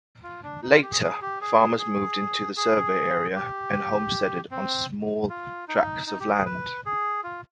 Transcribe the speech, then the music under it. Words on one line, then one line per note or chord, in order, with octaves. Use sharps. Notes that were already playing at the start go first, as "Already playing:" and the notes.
Later, farmers moved into the survey area and homesteaded on small tracts of land.
F4
D4
D#4
F4
G4
G#4
G#4
G4
G#4
G#4
G#4
G4
C4
F4
D#4
D#4
G4
G#4
B4
G#4
F4